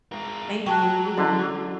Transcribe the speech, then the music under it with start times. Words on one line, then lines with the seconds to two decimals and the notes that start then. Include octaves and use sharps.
Thank you. You're welcome.
0.12 G#3 A#4
0.67 F#3 G5 A5 C#6 F#6
1.18 D3 C#4 E4 D#5